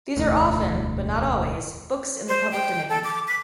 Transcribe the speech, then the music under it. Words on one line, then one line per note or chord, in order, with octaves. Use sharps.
These are often, but not always, books in the public domain.
E1 D2 A2
C5
G5
A4
D6
B6